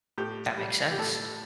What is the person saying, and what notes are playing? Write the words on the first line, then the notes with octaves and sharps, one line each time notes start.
That makes sense.
A2 G4
G3
G4
A2 A4